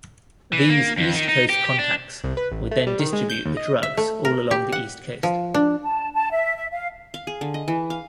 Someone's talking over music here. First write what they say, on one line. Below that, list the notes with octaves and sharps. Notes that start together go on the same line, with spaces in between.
These East Coast contacts would then distribute the drugs all along the East Coast.
E3
A#3
F2
D#3
D#4
G4
G4
D4
C2
B4
A1
A3
G3
D#3
G#3
G6
D#2
D#5
E5
A3
A#4
G4
F#5
F3
D4
A5
A5
E5
E5
F5
F5
G#4
D3
D#5
E3
F5